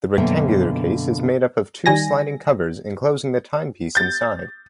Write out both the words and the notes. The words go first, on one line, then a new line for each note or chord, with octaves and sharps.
The rectangular case is made up of two sliding covers enclosing the timepiece inside.
F#2 B2 D3 A#3 E5 G5
D#3 G3 G#5 A#6
G6 A6